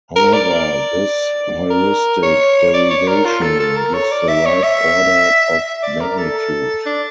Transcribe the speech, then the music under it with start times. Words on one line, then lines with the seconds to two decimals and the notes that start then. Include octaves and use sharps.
However, this heuristic derivation gives the right order of magnitude.
0.16 A#4
0.33 D5
0.50 D5
1.70 A#4
2.23 C#5
2.74 D5
2.90 C#5
3.08 A#4
3.25 F4
3.42 A4
3.60 A4
3.77 A#4
3.94 C#5
4.11 D5
4.28 E5
4.46 C#5
4.63 E5
5.83 D5
6.01 A#4
6.18 A4
6.86 D4